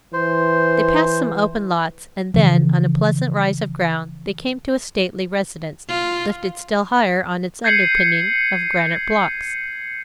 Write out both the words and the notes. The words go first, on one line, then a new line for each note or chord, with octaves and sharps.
They passed some open lots, and then, on a pleasant rise of ground, they came to a stately residence, lifted still higher on its underpinning of granite blocks.
E3 C5
C#3 E3 F3
F4
G6 G#6 C7 C#7 D#7 F#7